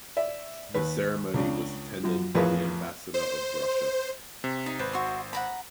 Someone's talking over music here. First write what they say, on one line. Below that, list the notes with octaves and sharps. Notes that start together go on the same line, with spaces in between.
The ceremony was attended by the Ambassador of Russia.
D5 E5
D#2 B4
C#2 C#3 D4
F#2 F3
A1 F2 G#4 A#4 B4 F5
C5
C3
D#4
G#1 B4 C5
F#4 E5 C6
F#5 A#5 B5